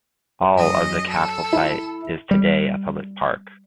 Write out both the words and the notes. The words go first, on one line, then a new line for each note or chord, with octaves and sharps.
All of the castle site is today a public park.
F#2 D#5
A4
E4
G3